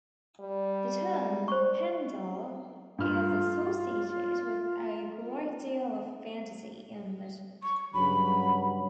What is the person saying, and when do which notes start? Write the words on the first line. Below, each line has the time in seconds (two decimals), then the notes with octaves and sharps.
The term "Pendle" is associated with a great deal of fantasy and legend.
0.40 G3
1.48 C5 C#6
2.98 G2 F4 F6
7.63 C#6
7.93 G2 C#3 F#3 B5